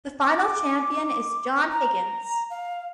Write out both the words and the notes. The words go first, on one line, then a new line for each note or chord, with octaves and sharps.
The final champion is John Higgins.
D6
A#5
F5